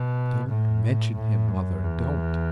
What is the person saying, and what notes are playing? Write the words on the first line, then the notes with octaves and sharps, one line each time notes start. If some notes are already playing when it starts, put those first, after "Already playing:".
'Don't mention him, mother, don't!'
Already playing: B2
A2
A2
F#2
E2